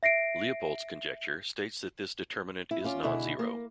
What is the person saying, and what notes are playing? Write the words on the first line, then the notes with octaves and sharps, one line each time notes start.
"Leopoldt's conjecture" states that this determinant is non-zero.
E5 A#6 C7 D7
E4
C#4 F4 D5
B2 D3 E4 G#4
A#3